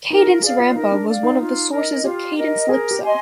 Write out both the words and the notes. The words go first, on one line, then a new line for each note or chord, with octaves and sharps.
Cadence rampa was one of the sources of cadence-lypso.
D#4 A#4
F4
G#4 D5 F5
F4
D#4 A#4
D4
D5 F5
D#4
F4
A#4 D#5
F4 G4
A#4 D#5
G#4 A#4
G4
D#5 G#5 C6